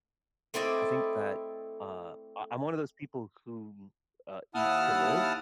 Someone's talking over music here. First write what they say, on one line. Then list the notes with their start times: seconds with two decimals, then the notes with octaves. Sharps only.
I think that, uh, I I'm one of those people who, uh, eats to live
0.54 A3 C4 E4 D5 D#5
4.55 D#2 E4 F#5 A5 D#6 F6